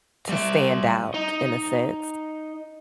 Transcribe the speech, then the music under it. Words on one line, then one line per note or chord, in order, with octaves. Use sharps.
to stand out in a sense,
G3 E5
D#4